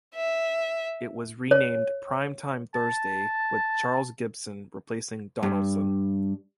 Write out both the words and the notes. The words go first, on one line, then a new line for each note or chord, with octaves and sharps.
It was renamed "Primetime Thursday" with Charles Gibson replacing Donaldson.
E5
C#5
A5
G2